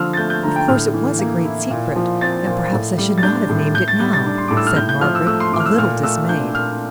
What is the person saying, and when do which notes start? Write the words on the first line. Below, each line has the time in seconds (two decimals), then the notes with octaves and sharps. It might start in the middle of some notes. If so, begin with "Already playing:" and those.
Of course, it was a great secret, and perhaps I should not have named it now,' said Margaret, a little dismayed.
Already playing: D3 F3 E6 F6
0.13 A6
0.17 A3 G6
0.30 G6
0.43 D3 A#5
0.56 G5
0.68 A2 F6
0.93 E3
1.19 A#3
1.45 E4
1.70 A#2
1.96 F3
2.21 C4 A6
2.46 A#2
2.73 A2
2.98 G3
3.18 A6
3.23 D4 G6
3.49 A2
3.74 A2 G6
3.88 A6
3.99 G3 G6
4.13 A6
4.26 D4
4.38 C6
4.48 A2 D6
4.57 E6
4.67 F6
4.76 A2 G6
4.89 G6
5.01 F3 F6
5.15 E6
5.27 A3 E6
5.40 C6
5.53 A2 D6
5.60 F6
5.66 E6
5.78 A#2 F6
6.03 A3 E6
6.29 D4 G6
6.54 A#2 F6